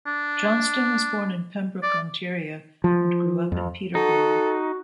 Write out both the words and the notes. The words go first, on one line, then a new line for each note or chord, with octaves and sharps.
Johnston was born in Pembroke, Ontario and grew up in Peterborough.
D4
D5
F3
F2
D#4 F#4 A4